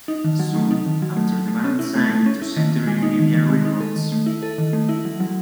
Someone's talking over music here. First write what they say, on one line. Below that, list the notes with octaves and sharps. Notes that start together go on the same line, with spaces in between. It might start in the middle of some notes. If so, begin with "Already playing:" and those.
Soon after the band signed to Century Media Records.
D#4
D#3
F#3
A3
D#4
D#3
F#3
A3
A3
A3
C#4
E4
A3
A3
C#4
E4
D#3
D#3
G#3
D#4
D#3
D#3
G#3
D#4
A4
D#3
A3
E4
A4
D#3
A3
E4
F#3
F#3